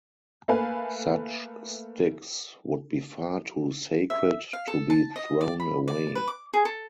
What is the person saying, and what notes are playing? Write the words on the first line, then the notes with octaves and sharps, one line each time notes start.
Such sticks would be far too sacred to be thrown away.
A3 A#3 B4 F5 G#5
E5
F5
A4
A5
D#5
D5
B5
D5
B4
D6
G#4
A4